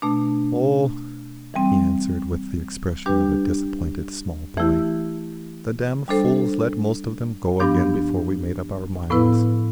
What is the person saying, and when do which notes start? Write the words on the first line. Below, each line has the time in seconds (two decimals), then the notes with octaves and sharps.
"Oh," he answered, with the expression of a disappointed small boy. "The damn fools let most of them go again before we made up our minds...."
0.02 B2 A3 D4
1.54 E3 G3 C4
3.06 G3 D4 G4 B4
4.57 E3 A3 E4 G4
6.08 G3 D4 A4 C5
7.60 G2 F3 B3 D4 G4
9.10 A2 F3 B3 E4 B4